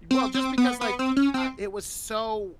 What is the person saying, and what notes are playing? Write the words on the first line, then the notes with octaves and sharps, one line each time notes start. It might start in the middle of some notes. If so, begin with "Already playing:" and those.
Well, just because, like, I it was so
C4
C4
B3
B3
C4
C#4
C4